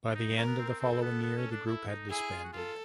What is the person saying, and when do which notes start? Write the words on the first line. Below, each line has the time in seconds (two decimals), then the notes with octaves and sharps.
By the end of the following year the group had disbanded.
0.09 D4
0.15 D#4
0.37 C#4 A#4
0.47 B3
0.58 C4
0.69 C4
0.80 C4 A4
0.92 C4
1.02 B3
1.23 B3
1.37 C#4
1.52 D4
1.67 E4
1.88 D#4
2.09 E4 G#4
2.32 F4
2.44 F#4
2.53 F4 A4